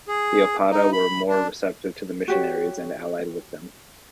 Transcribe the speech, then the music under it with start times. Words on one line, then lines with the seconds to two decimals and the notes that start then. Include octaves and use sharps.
The Opata were more receptive to the missionaries and allied with them.
0.08 G#4
0.71 D#4
0.93 B5
1.29 D4
2.28 F#4 G4 C#5